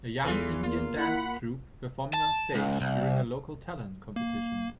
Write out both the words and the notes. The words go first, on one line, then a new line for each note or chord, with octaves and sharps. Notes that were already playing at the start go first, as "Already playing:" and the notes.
A young Indian dance troupe performing on stage during a local talent competition.
E2 E3 F4 A4
A#3 F4
E4 F#5 B5
A5
C#2
C2
A#3